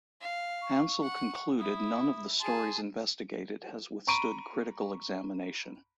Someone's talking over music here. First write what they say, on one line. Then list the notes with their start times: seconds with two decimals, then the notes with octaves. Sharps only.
Hansel concluded none of the stories investigated has withstood critical examination.
0.21 F5
0.62 C#6
1.02 F#5
1.59 E4 D#6
2.40 G#4 A5 C6
4.07 A#5 B5 C#6 D7 D#7